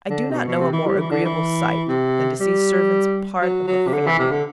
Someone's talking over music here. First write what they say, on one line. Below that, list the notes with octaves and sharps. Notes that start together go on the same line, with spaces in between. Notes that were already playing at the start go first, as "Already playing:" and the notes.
I do not know a more agreeable sight than to see servants part of a family.
D3
C3
B2
B2
C3
E3
G3
E3
D3
E3
C3
G3
F#3
F#3
C3
D3
E3
C3
D3